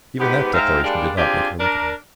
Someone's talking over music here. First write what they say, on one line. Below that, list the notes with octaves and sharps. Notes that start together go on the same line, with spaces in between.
Even that declaration did not make her look at him.
G#2 B3 G4
G#2 G#3 E5 F5 G5 A#5
G3 G#3 A#3 D4
C4 D4 F4 G4 G#4 G#5
D4 A#4